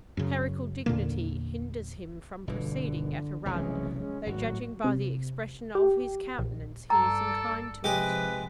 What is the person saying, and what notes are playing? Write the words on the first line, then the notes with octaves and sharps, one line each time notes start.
Clerical dignity hinders him from proceeding at a run, though judging by the expression of his countenance he is inclined to it.
F#2 C#3
E2 A#2 D3 A#3
G1 B2 D3 E3
F1 B1 B2 E3 G#3 C#4
G#3 C#4
G#1 A2 F#3 F#4
C3
G4
A#1
G2 A4 D5 A#5
C3 F3 G#3 G4 B4